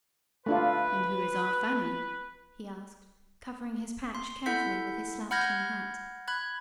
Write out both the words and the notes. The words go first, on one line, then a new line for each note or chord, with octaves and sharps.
"And who is Aunt Fanny?" he asked, covering his patch carefully with his slouching hat.
A3 D4 F4 B4
C6
E4 A4 F#5 G6 B6
F#5 B5 F6 G6 G#6 A#6
B5 F#6 G#6